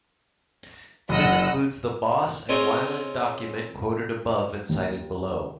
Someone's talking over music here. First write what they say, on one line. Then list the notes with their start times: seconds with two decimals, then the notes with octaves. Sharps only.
This includes the Boss and Wilen document quoted above and cited below.
1.09 F#1 D#5 F#5 E6
2.49 C4 D#4 F4 G#4 C#5
4.69 D#2